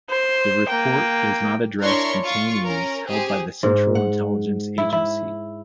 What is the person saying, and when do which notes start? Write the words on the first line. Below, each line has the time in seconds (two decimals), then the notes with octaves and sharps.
The report does not address detainees held by the Central Intelligence Agency.
0.10 C5
0.69 A#3 G5
1.82 D4 E4 A#4 C#5 C6 C#6
2.24 F4 C#6
2.65 C#4 A#4
3.07 C4 G4 G#4
3.63 G#2
3.95 F#5
4.78 E4
4.93 E4